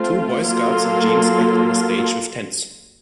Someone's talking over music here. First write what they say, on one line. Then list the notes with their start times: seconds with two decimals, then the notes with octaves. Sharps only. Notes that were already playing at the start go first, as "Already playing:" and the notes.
Two boy scouts in jeans act on a stage with tents.
Already playing: A3 C4 F4
0.46 F#3 A#3 F4 A4